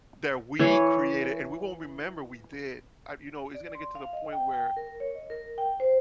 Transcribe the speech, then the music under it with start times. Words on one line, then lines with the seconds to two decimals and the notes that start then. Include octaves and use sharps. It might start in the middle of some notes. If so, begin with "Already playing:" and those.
That we created and we won't remember we did, I you know, it's gonna get to the point where
0.59 E3 C#5
3.55 D5
3.75 C6
3.95 F5
4.13 D#5
4.33 G5
4.54 G5
4.77 A#4
5.00 C#5
5.15 D#5
5.30 A#4
5.58 G5
5.80 C5